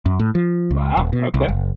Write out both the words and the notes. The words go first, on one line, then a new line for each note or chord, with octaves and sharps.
Wow, okay.
F#2
A2
F3
C#2
D#1
B2
C2
F#1